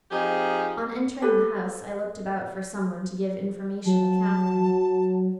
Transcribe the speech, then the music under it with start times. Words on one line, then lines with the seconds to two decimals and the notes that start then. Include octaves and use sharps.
On entering the house, I looked about for some one to give information of Catherine.
0.11 F3 C4 D#4 G4 G#4
1.22 G4 A4 B4
3.86 F#3 A5